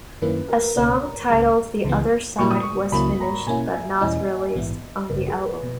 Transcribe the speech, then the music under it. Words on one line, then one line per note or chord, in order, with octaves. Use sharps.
A song titled "The Other Side" was finished but not released on the album.
F#2 D#3 A#3 C#4 E4 B4
A#4
C#2 B2 A#3 C#4 C#5
A#5
C#2 C#3 G#3
C#2 C#3 E3 B3
A#2 F#3 A#3 E4 C#6
D#6
C#6
C#2 C#3 F#3 A#3 E4 B5
A#5
B2 A#3 C#4 E4 G#5
E5
E2 B2 G#3 C#4 E4 D#5
A#1 G#2 E3 B3
G#1 F#2 C#3 B4
G#4
B4
B2